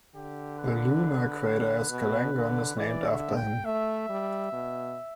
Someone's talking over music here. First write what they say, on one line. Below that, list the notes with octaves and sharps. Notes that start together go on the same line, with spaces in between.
The lunar crater Esclangon is named after him.
D3 G4
B4
B2
D3
E3 D5
D3 E5
G5
A3 E5
G3
B2